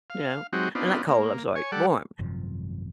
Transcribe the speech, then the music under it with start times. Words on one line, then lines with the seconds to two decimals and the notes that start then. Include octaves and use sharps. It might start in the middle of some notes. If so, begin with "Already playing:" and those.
You know? And not cold, I'm sorry, warm.
0.10 F5
0.53 F#3 G#3 C4 D#4 F#4 G4
0.75 B3 C4 D4 D#4 F4
1.08 A#3
1.56 C#5 G#5
1.72 G3 A4 D5 F#5
2.19 G#1 F#2 C3 F3